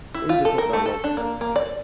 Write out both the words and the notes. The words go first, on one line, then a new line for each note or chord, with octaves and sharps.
He does not know love.
E4
F4
A4
A#4
A3
A4
D4
A#3
A#3
D5